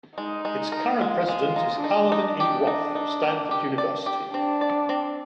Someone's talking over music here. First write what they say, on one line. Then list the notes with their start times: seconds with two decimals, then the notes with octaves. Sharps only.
Its current president is Alvin E. Roth of Stanford University.
0.17 G#3 D#4
0.45 G#3
0.72 A#4
1.00 G#3 F4
1.28 G#3
1.42 F4
1.56 D#4
1.84 D4 D#4
2.12 D#4
2.40 G4
2.67 D#4
2.95 D#4
3.23 A#3
3.51 G4
3.78 D5
4.06 G4
4.34 C4 D4
4.61 D5
4.89 C4